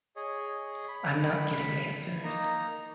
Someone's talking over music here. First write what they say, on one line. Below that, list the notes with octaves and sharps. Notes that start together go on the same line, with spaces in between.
I'm not getting answers.
G#4 C#5 D#5
B5
A#3 D#4 A#5